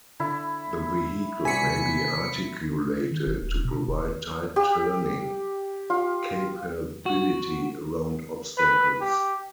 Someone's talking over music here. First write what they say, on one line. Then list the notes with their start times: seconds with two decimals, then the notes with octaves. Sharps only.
The vehicle may be articulated to provide tight turning capability around obstacles.
0.20 D3 E4
1.45 C3 F#4 D5 G#5 B6 C#7
3.11 D#3
3.27 F#1
3.42 D#1
3.65 B2
3.88 F1
4.56 G4
5.90 F4
7.06 F#4
8.58 B4
9.01 G4